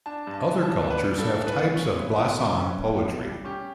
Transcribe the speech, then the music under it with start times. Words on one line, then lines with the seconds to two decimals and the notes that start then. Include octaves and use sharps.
Other cultures have types of blason poetry.
0.06 D4 A5
0.27 G2
0.34 A5
0.48 E3
0.63 A5
0.69 B3
0.90 D4 B4
1.12 G2
1.19 A4
1.33 E3
1.47 B4
1.54 B3
1.75 C#4
1.97 B1
2.18 B2
2.39 G3
2.60 C#4
2.82 B1
3.02 B2
3.24 G3
3.44 C#4 G4